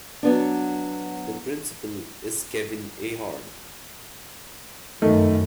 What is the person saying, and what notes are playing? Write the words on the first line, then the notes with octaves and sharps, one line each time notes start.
The principal is Kevin Ahern.
F#3 B3 D4
F#2 D#3 A3